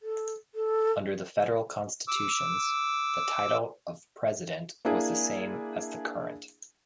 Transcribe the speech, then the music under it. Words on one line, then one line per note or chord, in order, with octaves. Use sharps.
Under the federal constitutions, the title of President was the same as the current.
A4
A4
D6 E6
A#3 D4 E4 G#4